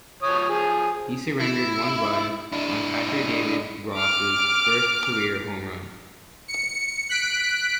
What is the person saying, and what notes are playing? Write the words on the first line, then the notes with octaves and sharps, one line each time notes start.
He surrendered one run on catcher David Ross's first career home run.
F3 C#5 D#6
F3 G#4
E4
D4 E4
D6 F6
C#7
F#6 B6 D7